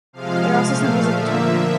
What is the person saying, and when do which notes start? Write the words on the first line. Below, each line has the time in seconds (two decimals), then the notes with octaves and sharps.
They are also symbols of eternity.
0.13 C3 F3 G#3 F5
0.63 A#2 F3 A3 F5
1.13 D3 F3 A#3 E5